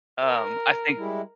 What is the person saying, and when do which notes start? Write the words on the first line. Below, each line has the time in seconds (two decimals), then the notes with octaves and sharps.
um, I think
0.24 A#4
0.98 G3 G#3 E4